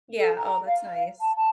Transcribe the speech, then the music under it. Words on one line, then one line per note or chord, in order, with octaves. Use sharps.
Yeah. Oh, that's nice.
A4
A#5
F5
A5
A5